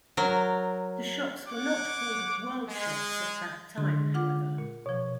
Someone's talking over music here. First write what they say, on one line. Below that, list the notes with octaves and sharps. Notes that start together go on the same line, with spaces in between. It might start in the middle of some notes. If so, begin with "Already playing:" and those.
The shops were not called worldshops at that time, however.
F#3 A#4
C#5 F#5 D6
G#3
D3 G#3 C6
F4 F#5 D6
A#2
B2 F3 C#5